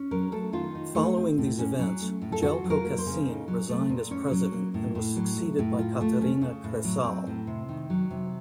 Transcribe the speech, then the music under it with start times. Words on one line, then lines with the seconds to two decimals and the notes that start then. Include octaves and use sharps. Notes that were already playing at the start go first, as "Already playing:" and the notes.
Following these events, Jelko Kacin resigned as President and was succeeded by Katarina Kresal.
Already playing: C#4
0.11 F#3 A#4
0.32 A3 A4
0.53 D#3 F4
0.75 D#4
0.95 A3
1.17 C4
1.38 A2
1.59 C#4
1.79 F#3
2.01 A3
2.22 A2
2.32 A4
2.42 F4 F#4
2.64 F#3
2.70 A#4
2.85 A#3
2.98 C5
3.06 C#3
3.27 D#4
3.48 F#3
3.69 A3
3.89 A#2
4.11 C#4 C#5
4.31 F#3
4.52 A#3
4.74 A2
4.95 A2
5.16 F#3
5.36 A3
5.59 A2
5.79 F4
6.01 A3
6.21 C#4
6.41 C#3
6.64 A2
6.84 F#3
7.05 C4
7.27 A2
7.47 C3
7.69 D#3
7.90 F#3
8.10 C3